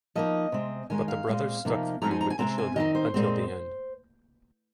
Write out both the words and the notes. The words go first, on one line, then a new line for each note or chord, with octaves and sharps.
But the brothers stuck through with the children until the end.
F3 A#3 D#4 D#5
C3 G#3 C4
D#3 G#3 D#4 G#5
F5
A#2 G#3 C4
C3 F3 A#3 D#4
F3 G#3 C4 D#4 A#5
G#5
A#5
G#5
C3 G#3 C4 A#5
G#5
D#3 C4 D#4 D#5
C5
A#2 G#3 C4